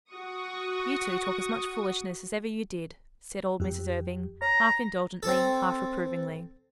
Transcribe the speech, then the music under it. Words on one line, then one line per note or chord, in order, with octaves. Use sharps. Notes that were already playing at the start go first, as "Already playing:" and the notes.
"You two talk as much foolishness as ever you did," said old Mrs. Irving, half-indulgently, half-reprovingly.
F#4 C#6 D#6
F2 G4
C#5 A#5
C4 A4